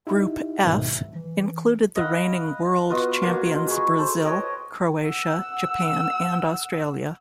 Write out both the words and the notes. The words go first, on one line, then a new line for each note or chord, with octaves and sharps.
Group F included the reigning World Champions Brazil, Croatia, Japan, and Australia.
D#4 E4 G4
C#2 G#2 B2 D#3 F#3 E5
E3
D#5 F5 F#5 B5
B3 F4 F#4 D#5
F#3 A#3 F4
F#4 G#4 B5 C#6
A4 C5
B4 C#5 D#5 G5
F#5 E6